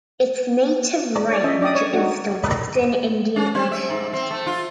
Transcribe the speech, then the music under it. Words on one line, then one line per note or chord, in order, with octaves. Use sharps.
Its native range is the Western Indian Ocean.
C#5 D5
C#4 D#5 E5
D4 D5 D#5 G5 D#6
C#5
D#4 F#4
C#4
C4
E5
G#2
C4
A3
F4